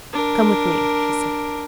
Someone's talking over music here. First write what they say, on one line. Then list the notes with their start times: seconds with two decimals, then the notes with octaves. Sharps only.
'Come with me,' she said.
0.13 D4 A#4